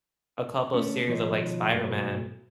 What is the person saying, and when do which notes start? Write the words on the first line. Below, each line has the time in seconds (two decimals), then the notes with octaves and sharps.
a couple series of like Spider-Man.
0.74 D3 A3 C#4
1.07 B2 D#3 F3 B3 C#5 D#5
1.69 G2 B2 F#3 A3